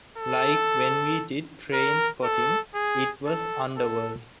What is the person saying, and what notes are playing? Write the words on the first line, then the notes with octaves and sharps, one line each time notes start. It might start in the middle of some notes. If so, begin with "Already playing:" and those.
Like when we did "Trainspotting", it was Underworld.
A4
A#4
A4
G#4
A4
A4